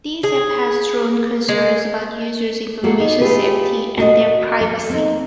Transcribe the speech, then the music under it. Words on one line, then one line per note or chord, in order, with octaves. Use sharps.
These app has drawn concerns about users information safety and their privacy.
G#4
G#3
G3 A#3 F#4 G#4 A4
B3 D#4 G#4
A3 F4 G4 G#4 B4
A#2 F#4 G#4 D#5
A4
C4 D#4